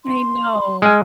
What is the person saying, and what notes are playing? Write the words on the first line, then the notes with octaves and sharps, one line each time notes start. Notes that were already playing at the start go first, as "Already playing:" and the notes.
I know.
C6
G#3 G#5 F6